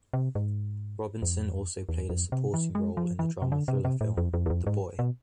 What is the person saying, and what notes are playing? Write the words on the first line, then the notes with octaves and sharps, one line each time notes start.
Robinson also played a supporting role in the drama thriller film "The Boy".
C3
G#2
F2
E2
F2
C3
E3
G#3
F3
E3
C3
D3
C3
C3
A2
F2
F2
E2
F2
G#2
B2